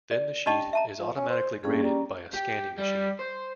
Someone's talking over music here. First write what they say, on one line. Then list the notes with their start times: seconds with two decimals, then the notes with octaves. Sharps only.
Then the sheet is automatically graded by a scanning machine.
0.11 D5
0.46 C#4 D4 G4 D#5 A5
0.73 E5 A5 A#5
0.99 F3
1.17 C#4
1.30 C5
1.64 G2 A#3 C#4 G#4
1.83 G3 C#4 A#5
2.34 G4
2.78 G3
3.19 C5